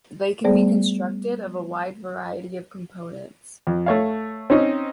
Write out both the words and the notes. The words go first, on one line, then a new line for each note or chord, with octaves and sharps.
They can be constructed of a wide variety of components.
G3 A3 B3 G#4 C5 D5
F2
A3 C#5 F5
C4 C#4 D#4